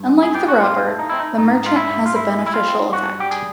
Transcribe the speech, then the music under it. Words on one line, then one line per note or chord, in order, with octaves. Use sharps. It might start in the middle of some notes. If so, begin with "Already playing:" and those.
Unlike the robber, the merchant has a beneficial effect.
Already playing: G2
G#3
G#4
B3 G4
F#4
A2 F4
A3
D#4
C4 E4
D#4
G#2 D#4
G#3 F4
E4
G#2
F4
G#2 E4
G#3
E4
F4
C4
G2 F#4
G3 G4
G#4